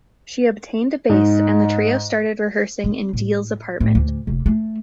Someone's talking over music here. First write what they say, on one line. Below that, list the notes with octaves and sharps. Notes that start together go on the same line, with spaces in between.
She obtained a bass, and the trio started rehearsing in Deal's apartment.
G#2 D#4
C4
A2
A2
D2
F1
A3